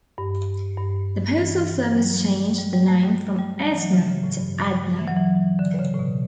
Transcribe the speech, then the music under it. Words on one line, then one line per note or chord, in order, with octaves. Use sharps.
The Postal Service changed the name from "Edna" to "Adna".
G2
G2
E3
F#3
G3
G3
G3
A3
G3
G3
G3
E3
F#3
C#3
C#3
A2
G2
E3
F#3
E3
D3
C#3
A2
B2